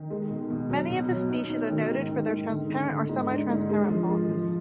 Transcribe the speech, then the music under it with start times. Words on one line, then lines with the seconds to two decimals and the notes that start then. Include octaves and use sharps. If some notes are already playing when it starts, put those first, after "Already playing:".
Many of the species are noted for their transparent or semi-transparent bodies.
Already playing: D#3
0.10 G#3
0.30 B2
0.50 B2
0.70 F#3
0.90 B2
1.11 F#3
1.30 D#4
1.50 D#4
1.70 D#3
1.90 G#2
2.10 D#3
2.29 G#2
2.49 D3
2.69 D3
2.89 D3
3.09 G#2
3.29 D4
3.49 G#2
3.69 G#3
3.89 F3
4.09 G#3
4.29 F3